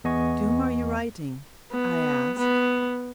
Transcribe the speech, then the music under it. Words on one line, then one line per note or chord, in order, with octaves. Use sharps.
"To whom are you writing?" I asked.
E2 B3 D#5 G#5 C#6
B3
B3